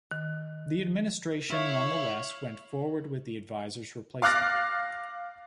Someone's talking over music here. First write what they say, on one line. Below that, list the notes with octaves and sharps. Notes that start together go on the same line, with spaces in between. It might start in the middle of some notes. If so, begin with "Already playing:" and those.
The administration nonetheless went forward with the advisor's replacement.
D#3
E4 C#5 E5 F5 C#6
F5 D6 F6 F#6 A6 A#6